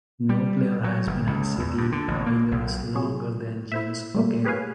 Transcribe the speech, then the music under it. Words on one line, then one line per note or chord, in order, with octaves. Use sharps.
No player has been at City Oilers longer than James Okello.
G3
F#3
G1
C#2
E2
G2
D3
A1
A#3
B1
C3 F#3 G#4 C#5
E4 C5 E5
G3 A3 A#3
G4 G#4 B4 C#5 F5 G#5